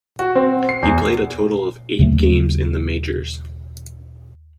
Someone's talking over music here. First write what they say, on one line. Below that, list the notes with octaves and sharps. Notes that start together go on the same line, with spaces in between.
He played a total of eight games in the majors.
F#4
C4
C7
E2
D#2 C#3 F#3 A3